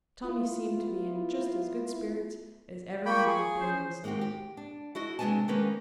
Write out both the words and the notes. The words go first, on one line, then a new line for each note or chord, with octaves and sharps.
Tommy seemed to be in just as good spirits as ever he had been in summer.
B3 E4 F4
A#3 F4 G5 B5 C#6
G#4
C#4 C5
G#3 A#3 C4 F#4 G4
G4
D4
E4 F#4 D#5
C3 G#3 B3 D4 G#5 A5
D#3 G#3 A#3 C#4 B4